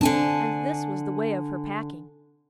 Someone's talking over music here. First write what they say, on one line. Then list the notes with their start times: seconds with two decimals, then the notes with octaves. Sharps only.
And this was the way of her packing.
0.01 D3 C4 D4 G#5 A5